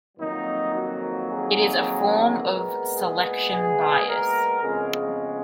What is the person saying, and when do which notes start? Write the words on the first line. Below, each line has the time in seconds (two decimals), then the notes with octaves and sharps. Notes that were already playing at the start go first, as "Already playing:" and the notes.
It is a form of selection bias.
0.18 F2 D#3 F#3 A#3 D#4
0.73 F#4
1.29 G#4
2.39 A#2 G#3 B3 A#4
2.95 G#4
3.50 G#4
4.06 A#4
4.61 F2 C#3 G#3 B3 G#4